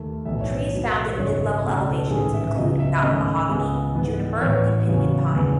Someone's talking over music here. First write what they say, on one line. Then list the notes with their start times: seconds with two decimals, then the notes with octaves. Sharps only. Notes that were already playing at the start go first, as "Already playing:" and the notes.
Trees found at mid-level elevations include mountain mahogany, juniper and pinyon pine.
Already playing: D#2 D#3 A3
0.25 B1 A2 E3 B3 E5
0.41 C#5
0.56 C#5
0.72 E2 B2 F#3
1.18 G#1 F#2 C#3 C#5
1.64 C#2 B2 A3 C#4
1.87 A4
2.10 A1 G#2 D#3 G#3 C#4 G#4
2.33 E5
2.56 C#2 C#3 F#3 B3 D#5
2.79 E5
3.02 G#2 D#3 A3 C#4 D#5
3.49 C#2 C#3 G#3 B3
3.95 G#2 E3 B3
4.41 A1 A2 E3 B3 C#5
4.88 E2 C#3 F#3 B3
5.33 E2 C#3 E3 G#3 B3